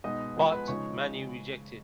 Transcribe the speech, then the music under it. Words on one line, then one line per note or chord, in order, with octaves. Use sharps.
But Mani rejected.
B2 G#3 B3 D#4 D#5 D#6
F3 G#3 B3
B4 B5
C#3 F3 G#3 D#4 C#5 C#6